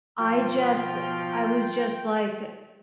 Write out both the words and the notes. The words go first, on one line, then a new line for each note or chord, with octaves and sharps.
I just I was just, like, eh,
B2 F3 F4 G5